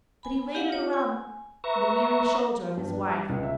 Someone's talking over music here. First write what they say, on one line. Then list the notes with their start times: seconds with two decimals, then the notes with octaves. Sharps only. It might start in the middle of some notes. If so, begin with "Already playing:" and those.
But he laid it around the nearing shoulder of his wife.
0.23 G#5 B5
0.55 G4 F5 F#5
0.70 F4 C#5
0.93 G#5
1.64 B4 E5 A#5 C#6
2.77 G2
2.93 D4
3.07 G3
3.29 C#2
3.43 E5